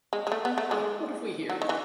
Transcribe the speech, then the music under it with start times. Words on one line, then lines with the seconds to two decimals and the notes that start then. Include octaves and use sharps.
Ha, what have we here!
0.13 G#3
0.27 G#3
0.32 A3
0.45 B3
0.58 A3
0.71 G#3
1.50 F#3
1.62 D#3
1.69 E3